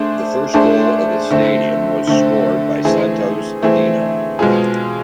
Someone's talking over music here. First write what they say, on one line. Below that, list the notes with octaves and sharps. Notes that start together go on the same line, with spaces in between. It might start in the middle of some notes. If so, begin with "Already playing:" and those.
The first goal of the stadium was scored by Santos' Dino.
Already playing: A3 D4 G#4 C5
A3 D4 G#4 C5
D3 A3 C4
D3 A3 C4
E3 A3 C4 G#4
E3 A3 C4 G#4
B2 G#3 C4 F4 G#4